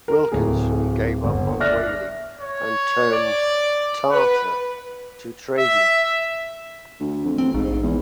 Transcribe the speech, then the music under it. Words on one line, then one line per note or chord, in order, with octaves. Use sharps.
Wilkinson gave up on whaling and turned "Tartar" to trading.
A#4
D1 A2 G#4
G1
D5 E5 F6 F#6 A#6
C#5
D5
B4 F#5
E5
D2
F2
A1 C4
A#1 G#2
E2